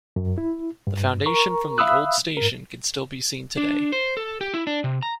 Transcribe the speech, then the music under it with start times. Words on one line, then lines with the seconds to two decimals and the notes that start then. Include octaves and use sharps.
The foundation from the old station can still be seen today.
0.16 F#2
0.38 E4
0.87 G2
1.26 A#4 A#5 C#6
1.78 E5 F5 B5 D#6 E6 F#6
2.37 G#2 A#4
3.57 D4
3.92 C5
4.17 A4
4.41 G4
4.54 E4
4.67 D4
4.84 C3
5.03 A#5